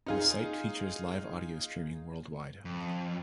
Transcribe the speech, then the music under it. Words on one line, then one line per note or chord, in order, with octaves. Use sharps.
The site features live audio streaming worldwide.
D#4 F4 G#4
F2